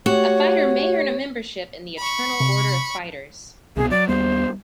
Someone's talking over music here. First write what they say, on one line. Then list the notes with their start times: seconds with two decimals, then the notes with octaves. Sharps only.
A fighter may earn a membership in the Eternal Order of Fighters.
0.06 A3 F#4 G4 C#5
1.98 B5 C#6
2.40 C3
3.77 C2 B2 G#4
3.91 F#3 D5
4.09 D#2 G3 B3 C5